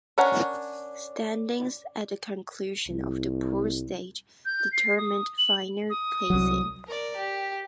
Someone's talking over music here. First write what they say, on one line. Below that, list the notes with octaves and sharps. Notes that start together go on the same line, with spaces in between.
Standings at the conclusion of the pool stage determined final placings.
C#4 D4 A#4 C#5 F#5
C2
G6
C7
D#6
F#7
D#6
C2 F#3
A#4 D5
G4